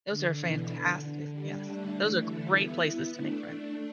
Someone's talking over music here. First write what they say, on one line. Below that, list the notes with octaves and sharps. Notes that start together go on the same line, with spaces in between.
those are fantastic, yes. Those are great places to make friends.
D3
B2 E3
D3
D3
D3 G3
A3 D4
E3 A3
D3 G3
B3 E4
A3 D4
A3 D4